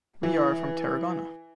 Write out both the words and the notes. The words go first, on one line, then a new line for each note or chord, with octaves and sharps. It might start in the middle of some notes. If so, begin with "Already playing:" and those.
We are from Tarragona.
E3